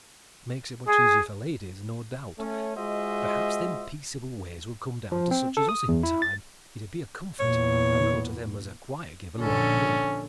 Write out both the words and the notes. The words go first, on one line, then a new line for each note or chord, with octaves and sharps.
That makes it much easier for ladies, no doubt. Perhaps them peaceable ways will come down to such as us in time. It'd be a comfort, I know, to them as are quiet given, like me.
G#4
A3 C#4
G#3 F4 F#4 C5 D#5 E5
F3
C4
A4
D#6
E2
E4
A6
E2 A#2 C#5
A#1 D3 C#4 A4